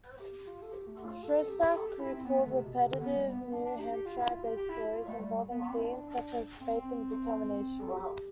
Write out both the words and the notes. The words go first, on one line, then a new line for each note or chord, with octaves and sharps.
Shostak recalled repetitive New Hampshire-based stories involving themes such as faith and determination.
G4
F4
A4
G4
A3
F4
A4
G4
A4
G4
E4
C4
B3
A3
D3
C3
B2
C3
D3
B3
G3
B3
B3
D4
D4
G4
G4
F4
E4
F4
G4
G4
E4
F4
A3
G3
B3
B3
C4
E4
D4
D4
C4
C4
A4
G4
G4